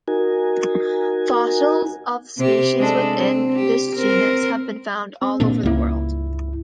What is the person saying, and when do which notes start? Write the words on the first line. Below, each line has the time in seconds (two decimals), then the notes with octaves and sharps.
Fossils of species within this genus have been found all over the world.
0.08 D#4 F#4 A#4 G#5
2.37 C3 C4 G4
2.78 G#3 D4 A4
3.14 C4
3.56 G4
3.96 C4 A#4
5.22 C4
5.40 A#2 A#3 D4
5.63 C#2 G2 C#3 A#3 E4